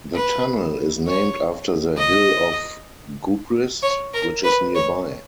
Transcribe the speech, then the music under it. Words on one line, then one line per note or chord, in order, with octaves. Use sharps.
The tunnel is named after the hill of Gubrist, which is nearby.
B4
C#5
D#5
C#5
A#4
B4
C#5